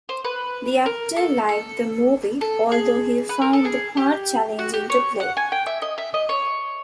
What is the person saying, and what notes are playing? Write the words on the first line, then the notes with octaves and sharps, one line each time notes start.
The actor liked the movie although he found the part challenging to play.
C5
B4
A#4
A4
A4
A4
G#4
B4
A#4
A4
G#4
G4
F#4
G4
C#5
F#5
G#5
G5
E5
D#5
E5
D#5
C#5